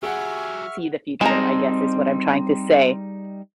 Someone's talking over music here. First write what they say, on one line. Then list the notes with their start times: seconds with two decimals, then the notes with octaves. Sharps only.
see the future, I guess is what I'm trying to say.
0.03 F#3 G4 G#4 E5 F#5 G#5 C#6 F6
1.21 G3 G#3 C4 D#4 A5 A#5